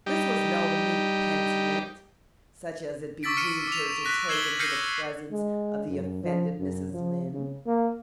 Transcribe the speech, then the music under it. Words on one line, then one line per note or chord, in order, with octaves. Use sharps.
This was no meek penitent such as it behooved her to take into the presence of the offended Mrs. Lynde.
G3 D#4 G4
C#6 D6 E6 A6 B6 D7
F6 B6 C#7 D#7 E7
D6 F7
F#6 A#6 B6
E6 G#6 C7 E7 F#7 G7
F6 G6 A#6 C7 C#7 D#7
G#3
F#2
F3
F#2
F3
C#3
A#3